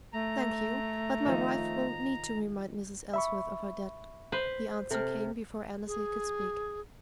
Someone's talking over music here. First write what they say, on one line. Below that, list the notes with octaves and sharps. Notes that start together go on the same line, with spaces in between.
"Thank you, but my wife won't need to remind Mrs. Ellsworth of her debt," the answer came before Annesley could speak.
A3 A#5
D#3 F3
E5 B5 C#6
B4 C5
C3 A4 F6
G#4